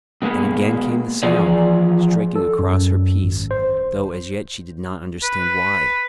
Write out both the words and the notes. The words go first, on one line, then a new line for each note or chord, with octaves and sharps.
And again came the sound, striking across her peace, though as yet she did not understand why.
B2 G#3 A#3 B3
E3 F3 F4 G#4 D5
A4
F#2
G#1
C5
B4